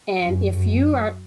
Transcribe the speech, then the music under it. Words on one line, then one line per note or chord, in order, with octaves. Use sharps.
and if you are
F#2
F#2